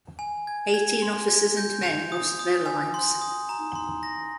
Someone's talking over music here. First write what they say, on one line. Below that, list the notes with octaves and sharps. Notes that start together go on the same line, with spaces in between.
Eighteen officers and men lost their lives.
G#5
G#6
G#6
C6
G#6
G6
F7
D#6
D#6
G#5
C6
D#6
A#5
C6
A#6